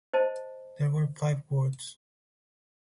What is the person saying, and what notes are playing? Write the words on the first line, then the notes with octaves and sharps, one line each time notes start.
There were five wards.
C5 D#5 A5